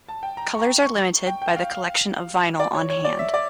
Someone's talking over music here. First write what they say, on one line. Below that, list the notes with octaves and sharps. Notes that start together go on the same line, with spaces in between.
Colors are limited by the collection of vinyl on hand.
A5
G5
A#5
C#6
A#5
C#6
G5
G5
F5
F5
D5
C#5
C#5
D5
E5
D5